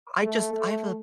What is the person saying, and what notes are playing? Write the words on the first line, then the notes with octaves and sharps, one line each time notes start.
I just I have a
A3
A3